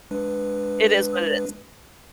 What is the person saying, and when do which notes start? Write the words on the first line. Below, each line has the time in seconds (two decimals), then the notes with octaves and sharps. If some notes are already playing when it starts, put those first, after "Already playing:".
It is what it is.
0.11 G#3 D4 B4